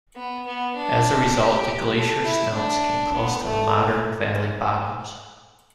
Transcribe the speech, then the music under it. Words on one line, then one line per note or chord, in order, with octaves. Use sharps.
As a result, the glacier snouts came close to the modern valley bottoms.
B3
B3
D4
G4
A4
E4
D4
B3
A3